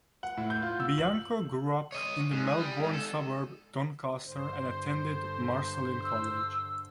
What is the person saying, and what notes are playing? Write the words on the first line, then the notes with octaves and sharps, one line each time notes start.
Bianco grew up in the Melbourne suburb Doncaster and attended Marcellin College.
F#5
A2
G6
F4
E6
F#7
C#5 D#5
G#2
G#4
G3
E2 G#2
A4
G2 D3 C5
E6